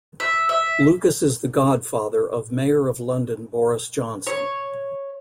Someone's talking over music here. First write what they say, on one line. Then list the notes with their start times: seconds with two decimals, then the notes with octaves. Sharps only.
Lucas is the godfather of Mayor of London Boris Johnson.
0.20 E5
0.49 E5
4.27 C#5